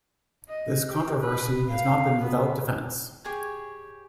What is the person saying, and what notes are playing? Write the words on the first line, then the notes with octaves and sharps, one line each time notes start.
This controversy has not been without defense.
D#5
G4
B4
F5
B3
G4 G#4 C#5 G#5